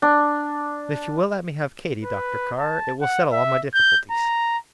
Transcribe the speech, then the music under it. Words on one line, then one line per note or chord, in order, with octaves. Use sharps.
But if you will let me have Katy, Dr. Carr, it will settle all my difficulties.
D4
B4
A5
F#5
E5
G6
A#5